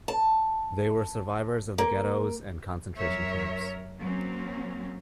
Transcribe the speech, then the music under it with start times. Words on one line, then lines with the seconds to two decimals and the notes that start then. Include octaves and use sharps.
They were survivors of the ghettos and concentration camps.
0.08 A5
1.78 A#3
2.97 F#2 A#4 C#5 E5
4.00 F#3 A#3 C4 C#4